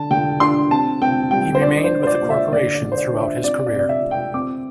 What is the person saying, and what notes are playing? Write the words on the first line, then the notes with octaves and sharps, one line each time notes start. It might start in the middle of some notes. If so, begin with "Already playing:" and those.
He remained with the corporation throughout his career.
Already playing: D3 A5
D3 G5
D4 C6
C4 A5
C4 G5
G3 G5
C5
D4 D5
C5
D4
C5
D5
A#2
E5
D3 D5
D5
D3
C5
D5
D4
E5
C4 D5
D5
C3
D5
E5
C4
G5
C4 D6